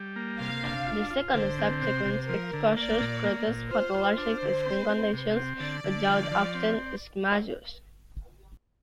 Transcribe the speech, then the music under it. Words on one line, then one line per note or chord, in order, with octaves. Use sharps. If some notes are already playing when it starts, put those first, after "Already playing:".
The second and subsequent exposures produce photoallergic skin conditions which are often eczematous.
Already playing: G3
A#3
C3 F5
D4
F4
F4
D3 C5
C4
C3 C5
C3
F3 A#4
D3
A#3 D5
A#2
A#3
A#2
F4 C5
F4
D4 C5
D3
C4
C4
C3
C4
D3 D5
D3
F3
F3
C4